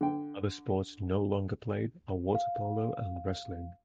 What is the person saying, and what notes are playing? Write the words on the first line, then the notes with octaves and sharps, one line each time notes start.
Other sports no longer played are water polo and wrestling.
D3 G5
F5